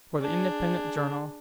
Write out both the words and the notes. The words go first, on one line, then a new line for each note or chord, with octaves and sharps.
For the Independent Journal.
D4 G#4